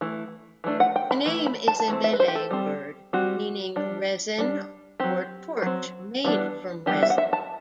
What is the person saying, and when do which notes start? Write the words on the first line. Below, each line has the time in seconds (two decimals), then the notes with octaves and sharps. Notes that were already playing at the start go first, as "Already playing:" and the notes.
The name is a Malay word meaning 'resin' or 'torch made from resin'.
0.01 E3 A3
0.64 E3 A3 D4
0.80 F#5
0.96 G5
1.11 B5
1.26 E3 A3
1.46 B5
1.68 A5
1.80 A5
1.88 E3 A3 C4
2.04 E5
2.13 B4
2.20 C5
2.28 G4
2.35 A4
2.51 G3 C4
3.13 G3 C4 F#4
3.76 G3 D4
4.38 G3 D4
5.00 F#3 C4 G4
5.62 F#3 C4
6.24 E3 G3 B3 D4
6.86 E3 G3 B3 D4 G4
7.03 E5
7.10 F#5
7.18 E5
7.33 A5